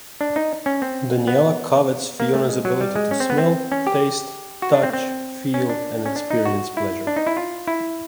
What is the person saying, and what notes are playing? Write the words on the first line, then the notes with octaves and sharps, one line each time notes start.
Daniella covets Fiona's ability to smell, taste, touch, feel, and experience pleasure.
D4
D#4
C#4
C4
B3
A#3
A3
G#3
F#3
G3
G#3
C#4
C4
B3
C4
C#4
G4
F#4
D4
C4
C4
C#4
D4
C#4
D4
D#4
F#4
E4
D4
D#4
E4
F4
E4